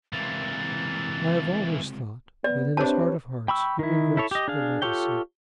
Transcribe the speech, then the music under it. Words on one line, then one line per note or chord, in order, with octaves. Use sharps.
I have always thought that in his heart of hearts he regrets the legacy.
C#2 C3 E3 A#3 A6
B3 D5
C4 D4 G4 B4 C#5 E5 A5
G5 B5 C#6 E6
D#3 E4
E4 A4 C#5
G4 D#5
D4 G#4 F5
F4 G4 A4 C#5 G5